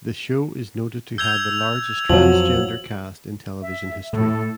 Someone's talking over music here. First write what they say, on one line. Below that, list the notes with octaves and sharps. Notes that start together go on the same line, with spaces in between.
The show is noted to have the largest transgender cast in television history.
E6 G6 G#6 F7
F2 F3 F#3 F#7
E5
A2 A4